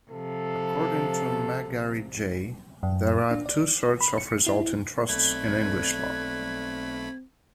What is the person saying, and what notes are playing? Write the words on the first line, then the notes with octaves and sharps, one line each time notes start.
According to Megarry J there are two sorts of resulting trusts in English law.
C3 F3 A4
F#2
D6
D4
D5
B5
C#7
E4
B1 A3 C4 A4 D5 B5 F#6 G#6